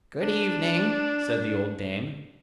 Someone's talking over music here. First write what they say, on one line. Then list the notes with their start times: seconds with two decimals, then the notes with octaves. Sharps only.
'Good evening!' said the old dame.
0.21 D4